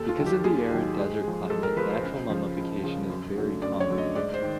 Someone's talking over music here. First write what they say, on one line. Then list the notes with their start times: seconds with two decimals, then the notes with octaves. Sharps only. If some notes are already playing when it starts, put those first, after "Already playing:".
Because of the arid desert climate, natural mummification is very common.
Already playing: D#2 A4
0.08 F4
0.18 D#3 F#3
0.26 G4
0.44 D#2 G#4
0.70 D#3 F#3
0.97 G#2
1.23 F3 G#3
1.50 G#2 A4
1.63 A#4
1.77 F3 G#3 B4
1.90 C5
2.03 C#2
2.30 C#3 F3
2.56 C#2
2.84 C#3 F3
3.10 F#2
3.36 D3 F#3 A3
3.62 F#2 D5
3.80 C#5
3.89 D3 F#3 A3
3.98 D#5
4.15 G#2 D5
4.34 C5
4.42 D#3